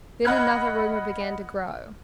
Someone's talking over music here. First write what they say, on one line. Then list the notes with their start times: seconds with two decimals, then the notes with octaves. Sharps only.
Then another rumor began to grow.
0.25 D#5 F#5 B5 F6 F#6 G#6